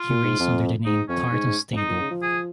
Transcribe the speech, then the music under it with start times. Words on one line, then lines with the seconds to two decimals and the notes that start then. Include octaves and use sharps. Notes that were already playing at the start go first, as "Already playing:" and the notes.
He raced under the name Tartan Stable.
Already playing: F4
0.10 A#2
0.24 G#2
0.39 F2
0.85 G#2 D#4
1.09 F2 C#4
1.32 G#2
1.46 G#2
1.72 F2
1.76 G#2 D#4
1.89 A#2
2.00 C#3
2.11 F3
2.22 G#4